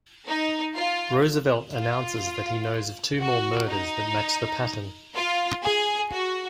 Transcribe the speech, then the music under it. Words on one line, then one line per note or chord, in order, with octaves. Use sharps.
Roosevelt announces that he knows of two more murders that match the pattern.
D#4
F4
F4
F#4
D#4
F4
G#4
F#4